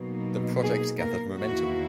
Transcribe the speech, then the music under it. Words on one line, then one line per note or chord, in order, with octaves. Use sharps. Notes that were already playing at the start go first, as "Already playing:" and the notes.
The project gathered momentum.
Already playing: B2 F#3 A#3 D#4
G#4
A#3 A#4
E2 D#3 A#3 E4 F#4